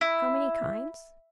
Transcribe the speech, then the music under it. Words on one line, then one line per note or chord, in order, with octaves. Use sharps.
How many kinds?
E4